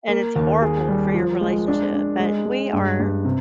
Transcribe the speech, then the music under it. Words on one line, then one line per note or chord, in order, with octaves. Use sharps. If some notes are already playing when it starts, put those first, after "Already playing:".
And it's horrible for your relationship, but we are
A#3
D#2
G#4
G3
F3
G#3
D4
D4
G#3
G#3
G2
G2
C3